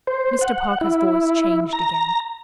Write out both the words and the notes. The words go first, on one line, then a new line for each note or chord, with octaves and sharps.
Mr. Parker's voice changed again.
C5
F#5
E4
A#5